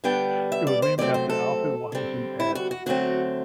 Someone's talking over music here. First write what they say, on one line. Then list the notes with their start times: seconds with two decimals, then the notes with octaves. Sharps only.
It is named after Alfred Washington Adson.
0.04 D3 G3 B3 D4 G5
0.52 E5
0.67 D5
0.82 C5
0.98 C3 F#3 A3 C4 D5
1.14 C5
1.30 A4
1.92 D3 G3 C4
2.40 E4
2.55 F#4
2.71 F#4
2.86 D3 F#3 A3 C4 F#4